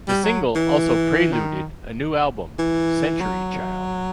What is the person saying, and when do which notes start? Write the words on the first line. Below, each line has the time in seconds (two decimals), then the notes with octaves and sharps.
The single also preluded a new album, "Century Child".
0.08 G3
0.24 F#3
0.55 E3
1.33 D#3
2.59 E3
3.21 F#3